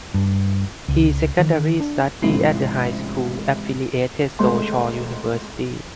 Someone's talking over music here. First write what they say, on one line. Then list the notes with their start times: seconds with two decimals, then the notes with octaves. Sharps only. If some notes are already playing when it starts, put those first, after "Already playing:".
He secondary studied at the High School Affiliated Soochow University.
0.14 G2
0.88 C#2
1.39 D#3
1.80 D4
2.22 A1 G#2 C3 F3 E4 C7
4.39 G#1 C#2 G#3 A3 C6